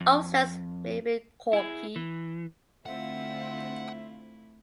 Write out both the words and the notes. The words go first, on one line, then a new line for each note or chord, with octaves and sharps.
Old stems may be corky.
F2
E4 G#4
E3
D3 A3 C4 E4 F4 E5 F#5